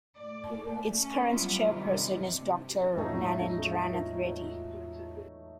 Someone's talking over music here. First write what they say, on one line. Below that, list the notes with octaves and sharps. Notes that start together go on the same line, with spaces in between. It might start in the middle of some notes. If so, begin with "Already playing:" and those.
Its current chairperson is Doctor Narendranath Reddy.
A2 D5
A3
C#4
F#3 G3 B3 D4 E4 F4
G2 C3 D#3 E3 G3
C3
E2 A2 E3 F#3 G#3 A3 D#4 F4